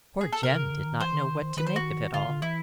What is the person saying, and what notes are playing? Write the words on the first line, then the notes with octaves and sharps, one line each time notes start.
Poor Jem did not know what to make of it all.
G#4
A4
C3 A#4
C#3
D3
D#3
E3 C5
D#3
D#3 B4
C5
F#4
D3 F4
D3
E3 E4